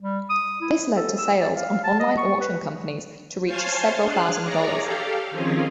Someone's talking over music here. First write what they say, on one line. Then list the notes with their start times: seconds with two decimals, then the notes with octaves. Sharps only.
This led to sales on online auction companies to reach several thousand dollars.
0.02 G3
0.30 D#6
0.61 E4
0.96 A4
1.17 E6
1.40 D5
1.54 F5
1.84 A5
2.00 D#5
2.18 C#6
2.40 B4
3.45 C5 C#5 F5 G#5 A5 C6
4.02 D4 G#4 F5 F#6
4.43 G#4 C#5 D5 A#5
4.81 G4 A4 F5
5.31 D#3 F3 C4 C#4 F4 G#4